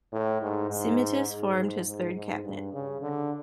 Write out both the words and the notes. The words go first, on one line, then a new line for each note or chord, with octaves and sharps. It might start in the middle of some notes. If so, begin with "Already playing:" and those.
Simitis formed his third cabinet.
A2
G#2
G#2
G#2
G#2
G#2
G2
C#3
D3